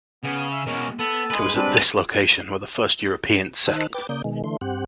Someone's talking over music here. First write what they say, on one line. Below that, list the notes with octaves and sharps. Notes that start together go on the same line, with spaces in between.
It was at this location where the first Europeans settled.
C#3 B3 G#5
E5
B2 G#3 C#4 A#4
B3 A4 A5
G#3 G#4 B4
G3 G#3 C4 D4
D#3 D#4 C5 A5 E6 F#6
B4 G5 D6 A6
C#3 A#3 D5 D#6 G6
B2 D#3 G#3
D3 E3 A3 C6
G2 C4 G4 F#5